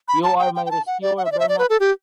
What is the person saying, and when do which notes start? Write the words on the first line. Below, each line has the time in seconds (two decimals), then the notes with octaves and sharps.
You are my rescuer, Bernat!
0.08 B5
0.23 A5
0.39 G5
0.56 G5
0.66 G5
0.71 A5
0.87 F#5
1.02 D5
1.18 F#5
1.25 E5
1.32 D5
1.39 E5
1.49 D5
1.59 B4
1.70 A4
1.80 G4